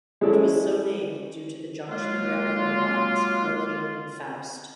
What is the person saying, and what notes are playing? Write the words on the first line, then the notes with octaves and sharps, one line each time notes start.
It was so named due to the junction of railroad lines located in Faust.
G#3 C#4 E4 A4 D5
F#3 G#3 A#3 F4